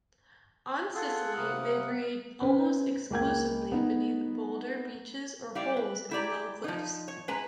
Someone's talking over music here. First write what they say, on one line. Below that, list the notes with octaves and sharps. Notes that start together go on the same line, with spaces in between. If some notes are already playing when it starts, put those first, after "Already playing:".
On Scilly, they breed almost exclusively beneath boulder beaches or holes in low cliffs.
F4 G#4 A4 F#5
C3 A#3 A#4 B4 D#6
C#4 B4 C5
C#2 A#3 G5 G#6
B3 D#4
G3 E4 D5 F5
B4
E4 G4 D5 A#5
F3 D#4
C#5
G#3 B4 G#5 A#5